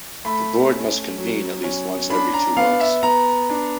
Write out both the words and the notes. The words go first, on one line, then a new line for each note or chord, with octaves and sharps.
The board must convene at least once every two months.
A3 B5
C#4
F#3
C#4
D4 B5
A#5
B3 F5
E5
B3 A#5
D4